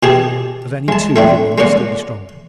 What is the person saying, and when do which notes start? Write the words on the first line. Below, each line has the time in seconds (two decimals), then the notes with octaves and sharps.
Of any two the one will still be stronger.
0.03 B2 G4 G#4 A5
0.88 G#3 A5
1.16 A3 C4 D4
1.58 G#3 A#3 C#4 D5 F#5